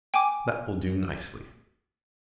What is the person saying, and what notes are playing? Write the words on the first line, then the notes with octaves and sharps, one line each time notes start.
That will do nicely.
G5 G#5 D6